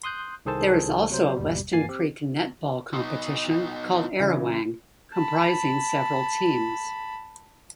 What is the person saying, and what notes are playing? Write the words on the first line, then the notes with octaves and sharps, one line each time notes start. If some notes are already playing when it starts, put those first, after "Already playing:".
There is also a Weston Creek netball competition, called Arawang, comprising several teams.
C6 D#6 F#6 G6
C2 D#3 G#4 A4 C5 A5
C3 F#3 C5
G1 D#2 B2 G3
G2 E3 A#3 G#5 A6 C7
C4 G4
B2 D#4
C#3 E3
A5 B5